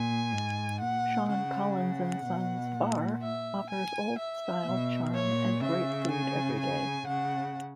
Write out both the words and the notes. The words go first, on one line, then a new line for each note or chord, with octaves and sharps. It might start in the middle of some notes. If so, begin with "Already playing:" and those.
Sean Collins and sons bar offers old style charm and great food every day.
Already playing: A#2 G#5
G#2
A#2 F#5
C#3 F#5
F#5
B2
A#2
E5
G#5
E5
B2
A#2 C#5
C#3 E5
G#5
G#5
C#3 F#5